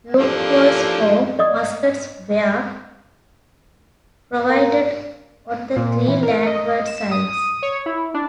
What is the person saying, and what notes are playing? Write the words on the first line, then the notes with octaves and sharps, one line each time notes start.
Loopholes for muskets were provided on the three landward sides.
E3 F3 A#3 D4 G4 A4
D5 D#5 D#6
A#3
A#2
E3
A#4
D#5
E7
D#6
C#5
E4
D4